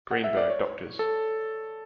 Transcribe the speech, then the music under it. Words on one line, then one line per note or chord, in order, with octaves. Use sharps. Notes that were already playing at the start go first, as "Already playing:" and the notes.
Greenberg, Drs.
F#5
E5
D5
C#5
A4